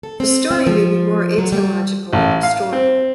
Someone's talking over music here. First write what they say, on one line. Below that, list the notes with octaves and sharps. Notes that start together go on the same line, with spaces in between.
The story may be more aetiological than historical.
A4
C4
C4
F3
F#3
G3
A1
F5
C4